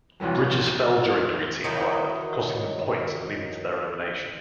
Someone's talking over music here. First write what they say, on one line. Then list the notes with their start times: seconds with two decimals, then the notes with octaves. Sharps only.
Bridges fell during the routine, however, costing them points and leading to their elimination.
0.20 C2 F2 E3 F#3
1.64 D#3 F#3 D#4 E4